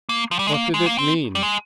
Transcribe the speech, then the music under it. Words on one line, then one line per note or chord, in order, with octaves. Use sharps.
What did it mean?
A#3
F3
G3
G#3
A#3
G#3
A#3
C4
G3
G#3